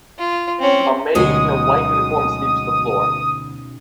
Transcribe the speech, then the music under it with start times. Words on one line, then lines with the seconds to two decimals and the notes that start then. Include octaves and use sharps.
A maid in a white uniform sweeps the floor.
0.19 F4
0.59 C4 C#4
1.15 D2 B2 F#3 G#3 C#4 D#4 G#4 D#6